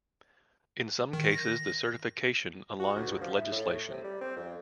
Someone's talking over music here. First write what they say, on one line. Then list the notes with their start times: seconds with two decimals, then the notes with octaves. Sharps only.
In some cases the certification aligns with legislation.
1.13 D#3
1.32 A#6
2.80 F#4
2.96 D2
3.08 G2
3.21 F3
3.36 E4
3.52 A2
3.89 C3
4.04 G3
4.21 C4
4.36 F2